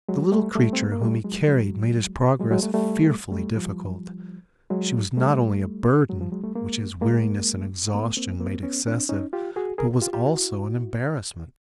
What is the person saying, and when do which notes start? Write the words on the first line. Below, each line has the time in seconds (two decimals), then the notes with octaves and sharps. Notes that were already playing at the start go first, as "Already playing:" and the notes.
The little creature whom he carried made his progress fearfully difficult. She was not only a burden, which his weariness and exhaustion made excessive, but was also an embarrassment.
0.08 F#3 G#3
0.32 G3 A3
0.55 G3 A3
0.73 C4
0.83 B3
0.92 A#3
1.01 G3 A3
1.24 F#3 G#3
1.47 F#3 G#3
2.39 F#3 G#3
2.51 F#3 G#3
2.63 G3 A3
2.74 G3 A3
3.32 G3 A3
3.55 F3 G3
4.70 F#3 G#3
5.17 G3 A3
6.09 F#3 G#3
6.20 F3 G3
6.32 F#3 G#3
6.44 G3 A3
6.55 G#3 A#3
7.01 G#3 A#3
7.94 A3 B3
8.17 A#3 C4
8.40 A#3 C4
8.63 B3 C#4
8.86 C4 D4
9.09 C#4 D#4
9.33 F4 G4
9.56 F#4 G#4
9.78 G#4 A#4
10.02 F4 G4
10.13 F4 G4
10.25 E4 F#4